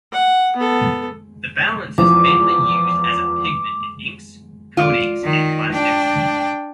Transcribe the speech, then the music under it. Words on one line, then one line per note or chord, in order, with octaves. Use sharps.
The balance is mainly used as a pigment in inks, coatings and plastics.
F#5
B3 A4
E2 F3 D6
F4 D5
D#3
D4 G5